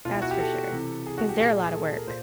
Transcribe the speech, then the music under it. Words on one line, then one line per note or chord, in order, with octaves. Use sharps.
that's for sure, 'cause they're a lotta work,
B2 F4
E4
F#4
G4
A4
C3 E3
G#4
F#4
G4
A#2 G#4
G#4
G#4
A4
A4
A#4
A#2 C5